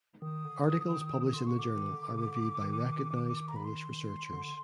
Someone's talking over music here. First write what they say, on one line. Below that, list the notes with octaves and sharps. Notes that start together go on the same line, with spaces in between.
Articles published in the journal are reviewed by recognized Polish researchers.
D#3 D#6
D3
D3
D#3
D#3
D3 C6
C#6
D3 D6
D#3
D3
C#3
D3
D#3
A#5
B5
C6
D3